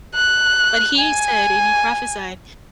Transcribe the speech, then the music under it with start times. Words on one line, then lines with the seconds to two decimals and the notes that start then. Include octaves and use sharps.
but he said, and he prophesied
0.15 F#6
0.98 G#5